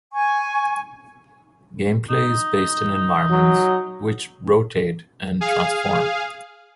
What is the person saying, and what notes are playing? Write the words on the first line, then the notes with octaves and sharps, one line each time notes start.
Gameplay is based in environments which rotate and transform.
G#5 C#6
D#4
F#3
G#4 F5